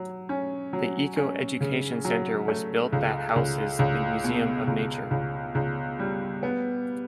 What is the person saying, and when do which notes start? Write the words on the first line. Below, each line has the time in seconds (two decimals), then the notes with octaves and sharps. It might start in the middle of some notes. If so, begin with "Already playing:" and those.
The Eco Education Center was built that houses the Museum of Nature.
Already playing: F#3
0.29 C#4
0.73 F#3
1.16 C#4
1.61 C#3
2.05 F#3
2.48 A3
2.93 C#2
3.36 C#2
3.79 C#2
4.24 B2
4.67 C#2
5.11 C#2
5.55 C#2
5.99 G3
6.43 B3